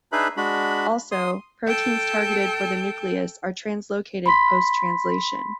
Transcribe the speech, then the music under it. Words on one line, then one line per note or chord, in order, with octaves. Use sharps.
Also, proteins targeted for the nucleus are translocated post-translation.
D4 D#4 G#4 B4 E5 B5
G#3 D4 F#4 B5
C6 D#6
A4 G5
B5 C6 B6